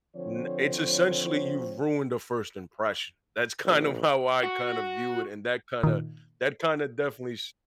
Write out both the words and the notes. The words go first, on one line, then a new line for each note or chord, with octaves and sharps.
n it's essentially you've ruined a first impression. That's kind of how I kinda view it. And that kinda that kinda definitely s
D3 F3 C4 C5 C#5
A#1
F#4
A#2 D#3